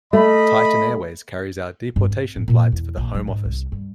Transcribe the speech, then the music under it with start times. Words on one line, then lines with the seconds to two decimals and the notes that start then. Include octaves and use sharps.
Titan Airways carries out deportation flights for the Home Office.
0.13 A3 D#5 B5
1.96 G2
2.10 C4
2.36 A2
2.48 A#2
2.72 E2
2.97 A#1
3.14 F#3
3.27 G#2
3.45 C2
3.72 G2